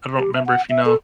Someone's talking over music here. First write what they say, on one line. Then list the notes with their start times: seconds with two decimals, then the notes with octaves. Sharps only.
I don't remember if, you know
0.18 G4
0.35 E5
0.46 F#5
0.70 E5
0.86 A4